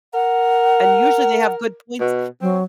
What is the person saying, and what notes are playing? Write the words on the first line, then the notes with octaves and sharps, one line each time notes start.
and usually they have good points
A#4 F#5
B2
F#3 C4